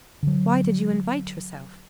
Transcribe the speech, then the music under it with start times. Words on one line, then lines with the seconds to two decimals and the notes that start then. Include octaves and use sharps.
"Why did you invite yourself?"
0.23 D3 F#3